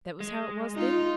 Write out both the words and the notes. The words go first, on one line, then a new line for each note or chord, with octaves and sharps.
'That was how it was, then?'
G#3
D#4 F4